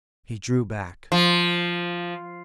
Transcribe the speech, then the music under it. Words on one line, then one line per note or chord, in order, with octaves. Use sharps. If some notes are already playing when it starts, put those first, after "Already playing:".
He drew back.
F3